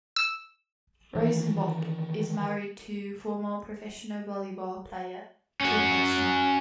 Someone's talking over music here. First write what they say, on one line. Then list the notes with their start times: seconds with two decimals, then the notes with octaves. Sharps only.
Rosenbach is married to former professional volleyball player Kim Exner.
0.16 E6
1.15 D#3 E3
5.61 C#4 F#4